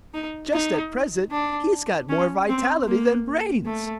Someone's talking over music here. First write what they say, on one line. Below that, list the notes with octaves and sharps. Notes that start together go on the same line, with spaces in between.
Just at present he's got more vitality than brains.
D#4
D#4
D4
C#4
C4
A#3
A3